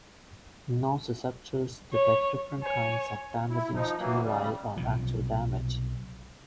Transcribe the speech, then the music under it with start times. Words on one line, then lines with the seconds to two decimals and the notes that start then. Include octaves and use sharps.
Nociceptors detect different kinds of damaging stimuli or actual damage.
1.93 C#5
2.63 C#5 G#5
3.50 E4
3.74 F3 D#4
3.98 E3 F#3 A#3
4.23 C#3 G3
4.77 B1 C3 F3